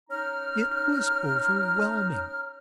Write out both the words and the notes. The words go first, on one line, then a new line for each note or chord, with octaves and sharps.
It was overwhelming.
C#4 D#4 A#5 F6